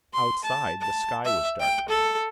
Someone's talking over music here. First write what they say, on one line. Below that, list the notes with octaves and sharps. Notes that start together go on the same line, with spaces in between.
Outside the sky was darkening.
C6
A5
A5
E5
G5
A4